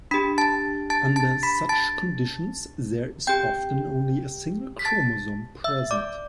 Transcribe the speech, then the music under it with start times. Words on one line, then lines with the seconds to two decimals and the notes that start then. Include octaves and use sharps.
Under such conditions there is often only a single chromosome present.
0.11 D4 G4 B5 B6
0.38 A5 A6
0.90 A5 A6
1.16 A5 A6
1.43 B5 B6
1.69 A5 A6
3.27 C4 G4 G5 G6
4.79 B6
4.85 A5 A6
5.64 E5 E6
5.91 D5 D6